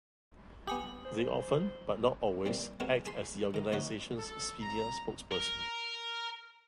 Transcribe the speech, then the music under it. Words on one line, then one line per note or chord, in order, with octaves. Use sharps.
They often, but not always, act as the organization's senior spokesperson.
B3 G4 G#5 D#6 F#7
C5
A#2 G3 C4
G#3 B3 C4 F#4 A#4
G#4 A5 B5 C6
D#3 A#5
D2 F3 D#4 C#5 D#5 F#5
A4
A#5
A#4